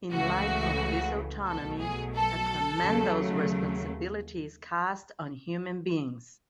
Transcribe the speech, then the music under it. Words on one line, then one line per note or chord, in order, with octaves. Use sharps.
In light of this autonomy, a tremendous responsibility is cast on Human beings.
C#2 C#3 E3 A3 F#4
B1 B2 F#3 A3 A4
G#4
A4
D#2 C#3 F#3 A3